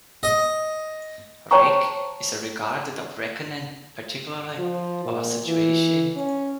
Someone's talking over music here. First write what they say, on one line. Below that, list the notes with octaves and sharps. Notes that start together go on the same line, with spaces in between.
"Reck" is a regard or reckoning, particularly of a situation.
D#5
C5 C#5 G5 A5 A#5 C#6
F3
A#2
E3
C#4